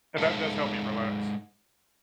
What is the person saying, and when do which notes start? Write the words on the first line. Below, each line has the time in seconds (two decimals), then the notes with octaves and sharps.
and that does help me relax.
0.18 G#3 D#4 A4 E5 F5 A5